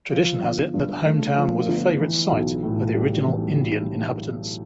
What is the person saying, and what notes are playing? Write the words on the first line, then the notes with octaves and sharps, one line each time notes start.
Tradition has it that Hometown was a favorite site of the original Indian inhabitants.
F3
G1
G2
A3
F3
G1
E3
B1
A2
G3
E3